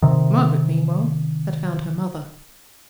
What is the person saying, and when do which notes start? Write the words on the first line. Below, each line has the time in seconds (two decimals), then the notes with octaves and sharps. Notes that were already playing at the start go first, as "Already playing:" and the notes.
Margaret meanwhile had found her mother.
0.02 C3 D#3